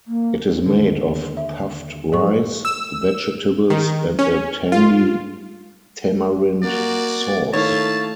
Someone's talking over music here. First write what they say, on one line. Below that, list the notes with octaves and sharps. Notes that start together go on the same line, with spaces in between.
It is made of puffed rice, vegetables and a tangy tamarind sauce.
A#3
D#2 D3
E5
G#2 F3 F#3 G#4 C#6
E6
D#3
C#4
F4
A#3 F#4 D5
D#3 A3 D#4 E4 C#5 F5 A5